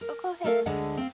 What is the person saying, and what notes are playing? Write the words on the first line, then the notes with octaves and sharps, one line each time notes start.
Oh, go ahead, no.
A#4
A3 A4 A#4 D5 F5
D2 D3 G#3 F#5 A5
C4 F5